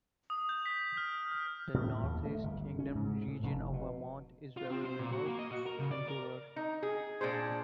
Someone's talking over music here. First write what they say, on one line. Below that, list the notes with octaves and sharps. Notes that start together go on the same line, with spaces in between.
The Northeast Kingdom region of Vermont is very remote and rural.
D#6
G6
B6
F6
F6
A2
D#2
A3
G1
C#4
G#2
A2
F1
B2
F4
C4
C5
A#2
F#4
A#3
D#5
F#4
A#4
C#3
D5
A#4
D#4
G#4
A#2 D4 G#4 C5